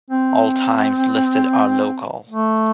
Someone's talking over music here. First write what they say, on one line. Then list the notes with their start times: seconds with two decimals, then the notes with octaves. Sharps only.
All times listed are local.
0.10 C4
2.29 A3